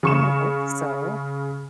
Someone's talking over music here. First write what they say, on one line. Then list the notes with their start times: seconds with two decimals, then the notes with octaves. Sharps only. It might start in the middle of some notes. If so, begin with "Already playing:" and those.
I would hope so.
0.03 C#3 C#6 E7